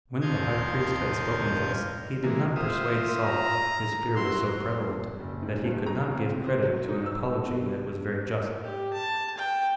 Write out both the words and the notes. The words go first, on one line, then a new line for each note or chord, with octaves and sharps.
When the high priest had spoken thus, he did not persuade Saul, his fear was so prevalent, that he could not give credit to an apology that was very just.
D#2 F3 D#5 F5 G6 G#6
E3 G#3 A#3
F4 C5 E5 D#6
A#5
F#3 E4 C6
F#1
G#2
G2
A#5
C#3
C4
C5
F#3
D#4
E6
B2
G4
A5
G5